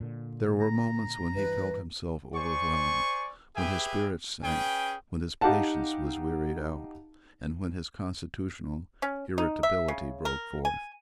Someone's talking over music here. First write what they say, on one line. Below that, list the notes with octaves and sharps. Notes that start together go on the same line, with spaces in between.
There were moments when he felt himself overwhelmed, when his spirits sank, when his patience was wearied out, and when his constitutional irritability broke forth.
A#2 D3
A#5
G2 E3 B4
C5 D5 G#5 C#6
G4 G#4 B4 E5 G5 G#5
C#4 G#4 B4 G5
D#4 G4 F5 F#5 A5
C#4
D#4
E5
C#3
A#4
G#5